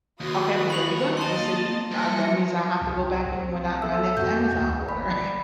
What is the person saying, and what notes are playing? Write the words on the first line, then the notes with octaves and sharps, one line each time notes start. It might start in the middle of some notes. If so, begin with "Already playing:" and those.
Okay, well there you go, we'll see, uh, that means I have to go back, and when I my next Amazon order
D#2 F4 F#4 B4 D#6
B5 C#6 F7 F#7
D#5 F5 A5 C6 A6
A#3
G2 G3 A#6 C#7
C2 C4
B1
B3 A4 E5 E6
F2 F#4 G6
D2
G1 D5 B5